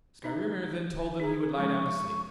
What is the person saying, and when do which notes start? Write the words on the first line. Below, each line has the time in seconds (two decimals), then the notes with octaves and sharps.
Skrymir then told them he would lie down to sleep.
0.24 D#4 E5 A#5
1.20 D#4 G#4 A#5
1.57 F3 G#3 C#4 C#6